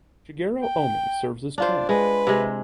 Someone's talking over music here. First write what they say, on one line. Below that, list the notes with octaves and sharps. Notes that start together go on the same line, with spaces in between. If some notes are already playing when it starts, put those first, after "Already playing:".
Shigeru Omi serves as chairman.
G5
D4 F4 C5 D5
G#3 B4
C3 G#3